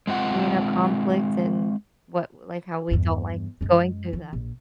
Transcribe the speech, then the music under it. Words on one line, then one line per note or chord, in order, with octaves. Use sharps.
you know, conflict and what like, how we don't like going through that.
G#3 C4 F4 F#5
E2 G2
F#2 G#3
E3
A#1